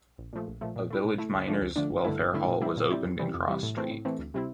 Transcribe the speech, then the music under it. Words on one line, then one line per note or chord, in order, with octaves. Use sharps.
A village Miners' Welfare Hall was opened in Cross Street.
A#1
A#2 F3 A3
A#1
A#2 F3 A3
A#2
A3 E4
A#2
A3 E4
D2
D3 F3 A3 D4
D2
D3 F3 A3 D4
G1
G2 D3 A3 E4
G1
G2 D3 A3 E4
A#2
G3 C4 E4
A#2
G3 C4 E4
F2
C3 E3 G3
F2
C3 E3 G3
A2
E3 A3 C4
A2
E3 A3 C4
D2
C3 G3 C4 E4